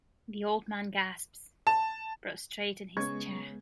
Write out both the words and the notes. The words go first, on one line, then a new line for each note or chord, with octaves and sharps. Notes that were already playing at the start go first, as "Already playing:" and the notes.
The old man gasps, prostrate in his chair.
A5
C#3 G#3 B3 C#6 G#6